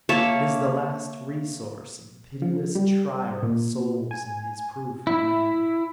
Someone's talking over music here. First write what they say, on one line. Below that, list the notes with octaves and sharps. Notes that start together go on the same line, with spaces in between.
It is the last resource of the pitiless trier of souls in his proof of man.
A#3 C#5 E5 A5
F3
G3
A#2
G#5
E4